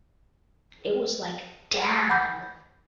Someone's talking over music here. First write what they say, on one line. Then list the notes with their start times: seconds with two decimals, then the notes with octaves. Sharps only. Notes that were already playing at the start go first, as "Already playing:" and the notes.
It was like, 'Damn!
2.09 F#5 B5 D6 G6